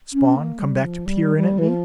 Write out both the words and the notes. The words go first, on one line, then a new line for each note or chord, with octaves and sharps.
Spawn, come back to peer in at me?
C#4
A#3
G3
F3
G3
G3
E3
F3